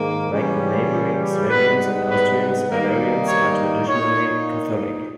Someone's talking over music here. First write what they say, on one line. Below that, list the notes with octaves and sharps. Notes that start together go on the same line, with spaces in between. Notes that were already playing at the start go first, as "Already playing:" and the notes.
Like the neighboring Swabians and Austrians, Bavarians are traditionally Catholic.
Already playing: G#2 D#3 A#3
C#3 E3 G3 C#4
G#2 G3 B3 B4
B4
D#3 G3 A#3 D#4 A#4
C#5
A#2 A#3 D#4 C#5